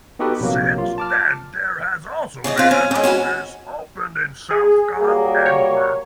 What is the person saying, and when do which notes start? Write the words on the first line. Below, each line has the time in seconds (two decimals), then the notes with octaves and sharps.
Since then there has also been an office opened in South Gyle, Edinburgh.
0.19 B3 D#4 F#4 G4 A4 B4
0.40 A#1 C3 F#3 A#3
0.78 F4
0.98 A5 D6 F6
2.44 C#3 E3 C#5 D#5
2.57 C4 F4
2.71 C#4
2.91 G#3 C#4
3.04 C#4 F#4 B4 G#5
4.51 G#4
5.01 F#3 G3 A#3
5.46 C#5